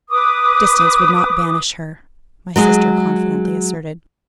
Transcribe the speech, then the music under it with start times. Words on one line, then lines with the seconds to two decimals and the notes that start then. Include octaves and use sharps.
"Distance would not banish her," my sister confidently asserted.
0.10 B4 D6 D#6
2.56 F#3 G#3 G#4